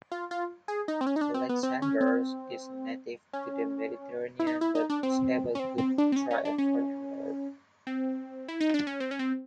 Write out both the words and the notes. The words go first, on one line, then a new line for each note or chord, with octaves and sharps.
Alexanders is native to the Mediterranean but is able to thrive farther north.
F4
F4
G#4
D#4
C4
C#4
D#4
D4
C4
B3
C4
C#4
C4
C#4
E4
D#4
E4
D#4
D4
C4
C#4
C4
C4
D4
C4
C#4
C#4
D4
C#4
C4
E4
D#4
D4
C#4
C4
C#4
C4